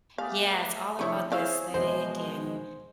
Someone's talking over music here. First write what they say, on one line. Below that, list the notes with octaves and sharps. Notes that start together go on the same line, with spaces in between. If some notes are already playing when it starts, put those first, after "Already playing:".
Yeah, it's all about the aesthetic and,
A3 B3 G4 G#4 F5
C3 F3 A3 C4 D4 E4 C#5 C#6
C4 E4 G#4 C5 C#5 F5
B2 E3 F3 G#3 C5